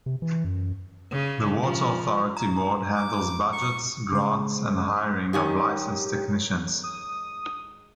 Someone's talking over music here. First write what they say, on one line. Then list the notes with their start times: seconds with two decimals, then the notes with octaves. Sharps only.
The water authority board handles budgets, grants and hiring of licensed technicians.
0.06 C3
0.22 E3
0.44 F#2
1.11 C#3
1.63 F3
2.37 A#5
2.96 D6
3.52 C#6
4.12 C#3 G#3 C5
5.33 G#2 D#3 C#4 G4
6.83 D#6